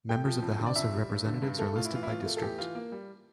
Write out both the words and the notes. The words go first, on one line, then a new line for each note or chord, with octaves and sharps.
Members of the House of Representatives are listed by district.
A3 G5
F3
F2
D3
D5
F2 E5
G3
G2
D3
G2
A3 A4
A2 F4
E4
E3 F4
E4
A2 F4
A3
A4
E2 G4
E3 F4
A#3
G3